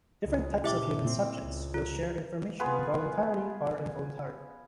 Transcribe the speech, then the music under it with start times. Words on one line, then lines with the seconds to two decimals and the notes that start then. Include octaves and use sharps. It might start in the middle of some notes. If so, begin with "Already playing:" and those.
Different types of human subjects will share information voluntarily or involuntarily.
0.25 C#2
0.64 A#2 C#3 E4 G4 E5 D6
1.05 A#2 C4
1.40 C#2
1.74 F4
2.60 B3 F4 G#4 B4